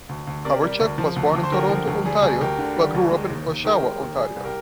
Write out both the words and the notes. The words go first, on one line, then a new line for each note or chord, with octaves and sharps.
Hawerchuk was born in Toronto, Ontario, but grew up in Oshawa, Ontario.
D2
D2
C3 A#4 D5
G3
D2
F3
D2
D2
C5
D3 G4 A#4
F3
D2
G3 G#4
D2 G#4
D2 G4 A#4
D3
G3
D2
G#3
D#2
D#2
D#3 G4 A#4
G#3
D#2
G3 G#4
C2
G4 A#4